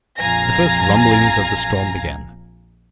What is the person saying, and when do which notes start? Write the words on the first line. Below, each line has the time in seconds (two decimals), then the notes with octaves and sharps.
The first rumblings of the storm began.
0.20 A#1 F2 F5 G#5 A#5 A#6